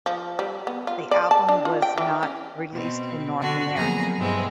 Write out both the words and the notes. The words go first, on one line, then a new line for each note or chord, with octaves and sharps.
The album was not released in North America.
F3
G3
B3
F4
D5
A5
D4
F4
G5
E3
C#4
B2 C4
D3 D4 F#4
F2 F#3 A#3 B3 G#4 A#5
G2 B2 E3 G#3 C4